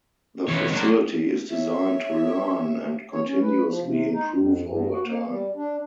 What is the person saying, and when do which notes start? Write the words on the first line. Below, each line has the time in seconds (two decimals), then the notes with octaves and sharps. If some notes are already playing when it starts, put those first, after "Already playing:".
The facility is designed to "learn"-and continuously improve-over time.
0.48 C#2 E3 C#5
0.73 F#3 A#3 D4
1.49 C#5 E5
3.12 C#5
3.25 C#4
3.40 B4
3.65 F3
3.83 C3
4.12 D#4
4.33 F2
4.65 G2
4.91 F#4
5.03 A#3
5.27 G3
5.56 D4